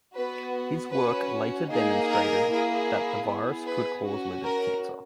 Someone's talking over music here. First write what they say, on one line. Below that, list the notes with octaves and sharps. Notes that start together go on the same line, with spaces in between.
His work later demonstrated that the virus could cause liver cancer.
B3 F#4 B4
C#4 F#4 B4
A#3 D#4 G#4
A#4
A#3 E4 G#4
B3 E4 G#4
B4
C#4 F#4
A#4